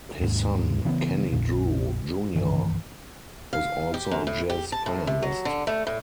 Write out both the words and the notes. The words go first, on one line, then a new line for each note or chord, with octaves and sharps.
His son, Kenny Drew, Junior was also a jazz pianist.
D#2 G#2
C#3 E3 G#3 B3
A#1 F2 A#2
C2 G2 D#3 E3
F5
G4
F#2
A2
G4
A5
A2
C3
F#3
D3
A3
A2